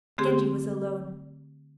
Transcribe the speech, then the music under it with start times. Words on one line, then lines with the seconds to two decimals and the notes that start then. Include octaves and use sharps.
Genji was alone.
0.18 D3 A3 C4 G4 G#4 C6